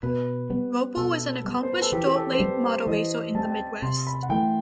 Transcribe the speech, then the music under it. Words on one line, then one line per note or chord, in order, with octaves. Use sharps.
Roper was an accomplished dirt late model racer in the Midwest.
B2 B4
G3 B3
B2 A4
G3 B3
C5
B4
A4
E3 G4
G4
A4
C5
G3 C4 B4
C5
E3 D#5
G3 C4 A5
G5
A5
C3 C6
B5
F#5
E3 A3 G5